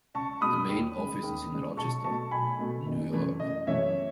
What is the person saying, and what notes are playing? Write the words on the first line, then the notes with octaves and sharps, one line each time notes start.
The main office is in Rochester, New York.
C#2 A5 C#6
B2 G#3 B5 D#6
D#2
C#3 G#3
D#2
C#3 G#3
B1 A5 C#6
B2 A3 A5 C#6
B1 G#5 B5
B2 A3
F#1
F#2 C#3 E3 A3
F#1 D#5
F#2 C#3 E3 A3 C#5 E5